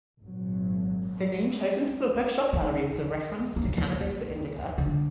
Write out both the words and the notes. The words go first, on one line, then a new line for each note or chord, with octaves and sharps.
The name chosen for the bookshop-gallery was a reference to Cannabis indica.
G#1 A#2 F#3
D#3
A#3
D3